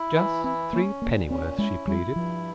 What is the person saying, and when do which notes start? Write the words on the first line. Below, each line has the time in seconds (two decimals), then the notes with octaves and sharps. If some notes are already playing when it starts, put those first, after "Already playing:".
"Just threepennyworth," she pleaded.
Already playing: E4
0.16 E3
0.44 C4 E4
0.73 A#3 C#4
1.02 A#2 A#3
1.30 C4 C#4
1.58 G#3 E4
1.87 G3 E4
2.16 G2 F3